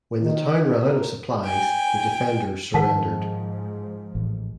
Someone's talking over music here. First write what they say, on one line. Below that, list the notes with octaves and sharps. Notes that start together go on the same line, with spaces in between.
When the town ran out of supplies the defenders surrendered.
D#3
A#4
G5 G#5
G#2 D#3 F3 A#4 F#5 A5
A1